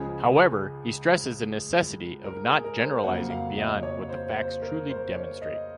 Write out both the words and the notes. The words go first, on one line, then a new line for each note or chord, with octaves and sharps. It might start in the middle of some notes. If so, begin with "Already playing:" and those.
However, he stresses the necessity of not generalizing beyond what the facts truly demonstrate.
Already playing: C#2 C#3 F3 G#3 G#4
A#4
G#4
A#4
C5
F2 C#3 F#3 A#3 F#5
F5
D#5
C#5
C5
C5
A#4
C5
C#5
D#5